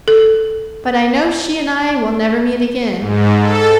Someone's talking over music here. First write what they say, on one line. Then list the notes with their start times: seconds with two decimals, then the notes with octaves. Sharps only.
But I know she and I will never meet again.
0.08 A4
2.99 G#2
3.40 A4